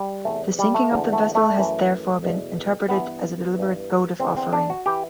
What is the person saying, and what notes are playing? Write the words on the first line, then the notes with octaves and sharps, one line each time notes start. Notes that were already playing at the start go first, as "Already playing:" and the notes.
The sinking of the vessel has therefore been interpreted as a deliberate votive offering.
Already playing: G3
E2 C3 E3 A3
G3
A3
E2 D3
A3
A3
F#2 E3
E2 B2
G2 E3 B3
G2 E3
E2 D3 C4
C4
D4
F#4
E3 G4